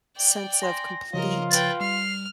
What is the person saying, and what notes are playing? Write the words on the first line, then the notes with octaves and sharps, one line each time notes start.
sense of complete
D5 G5
G#5 C6 A#6
C#3 F3 F4 A#4 C#5 D#5
B4 G5 A6
G3 F6 C7